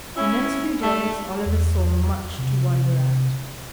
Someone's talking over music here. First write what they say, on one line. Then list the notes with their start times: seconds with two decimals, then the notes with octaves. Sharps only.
The next few days Oliver saw much to wonder at.
0.16 C#4 E4
0.81 A3 A4
1.46 E2
2.38 C3